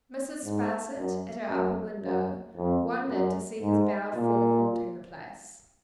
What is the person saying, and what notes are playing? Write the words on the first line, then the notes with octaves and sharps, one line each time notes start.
Mrs. Sparsit, at her upper window, wondered to see his bowed form haunting the place.
G#2
F#2
F#2
F#2
F2
F#2
G#2
A#2